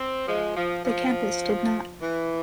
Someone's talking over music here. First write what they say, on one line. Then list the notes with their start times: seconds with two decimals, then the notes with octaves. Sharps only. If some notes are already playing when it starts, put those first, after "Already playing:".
The campus did not.
Already playing: C4
0.27 F3 G#3
0.56 F3
0.85 F3
2.02 E3